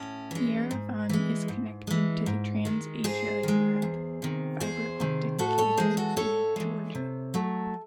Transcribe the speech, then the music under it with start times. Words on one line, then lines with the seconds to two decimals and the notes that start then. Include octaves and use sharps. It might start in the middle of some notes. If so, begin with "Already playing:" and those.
Yerevan is connected to the Trans-Asia-Europe fiber-optic cable via Georgia.
Already playing: A2 C#4
0.31 E3 G#3
0.71 G#2
1.09 E3 G#3
1.48 G#2
1.87 E3 G#3
2.26 G#2
2.65 D#3 G#3
3.04 G#2 G#4 C5
3.43 D#3 G#3
3.82 E2
4.22 C3 D#3
4.60 E2 G#4 C5
5.00 C3 D#3
5.39 A2 F#4 A4
5.58 A4 C#5
5.77 E3 G#3 G#4 C5
5.97 F#4 A4
6.16 A2 A4 C#5
6.56 E3 G#3
6.95 C3
7.34 F#3 A3